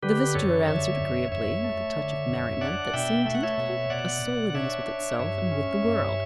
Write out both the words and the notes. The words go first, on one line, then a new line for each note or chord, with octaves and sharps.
The visitor answered agreeably, with a touch of merriment that seemed to indicate a soul at ease with itself and with the world.
D3 G4 B4
F#2 A4 C#5
D3 C#5 E5
F#2
F#2 C#5 E5
A3
D3
F#2
D4 D5 F#5
B2 E5 G5
A3 E5
F#5
C#5 E5
B2
B2 D5 F#5
B2
F#5
D4 C#5 E5
D4
G2 C#5 E5
C#4
G2